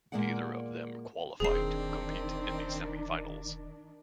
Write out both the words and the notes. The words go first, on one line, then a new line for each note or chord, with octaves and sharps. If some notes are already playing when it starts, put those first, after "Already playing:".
Neither of them qualified to compete in the semifinals.
A#2 C#3 G#3 A#3 D5 F#5
E1 D#3 C4 D4 G#4 C7